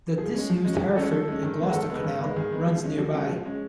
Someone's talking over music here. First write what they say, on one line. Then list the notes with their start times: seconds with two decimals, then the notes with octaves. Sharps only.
The disused Hereford and Gloucester Canal runs nearby.
0.18 F3 G#4
0.35 G#3 C#4
0.50 F3
0.65 G#3 C#4
0.80 F3 G4
0.96 G#3 C#4 A4
1.12 F3 A4
1.28 G#3 C#4
1.43 D#3
1.59 G#3 B3
1.74 D#3 A4
1.90 G#3 B3
2.04 D#3
2.21 G#3 B3
2.36 D#3 G#4
2.52 G#3 B3
2.67 F3
2.83 G#3 C#4
2.98 F3 F#4
3.14 G#3 C#4
3.30 F3
3.45 G#3 C#4